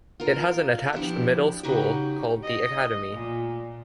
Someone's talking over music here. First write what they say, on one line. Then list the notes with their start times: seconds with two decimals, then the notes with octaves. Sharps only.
It has an attached middle school called the "Academy".
0.20 F4 A#4
0.93 F3 D4 E4 G4
1.63 C#3 D#4 F#4 G4
2.43 D#5
3.10 A#2